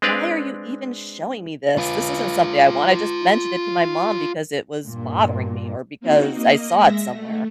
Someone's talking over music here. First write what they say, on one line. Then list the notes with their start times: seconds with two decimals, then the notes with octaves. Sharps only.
"Why are you even showing me this, this isn't something I want, I just mentioned it to my mom because it was bothering me or because I saw it somewhere."
0.02 G#3 C4 D4 B4 D5 F5
1.78 F4 B4
4.87 G2 A#2
6.01 A#3 C4 D#4 F#4
6.33 A#3 D#5
6.77 G#3 E5 A#6
7.13 A3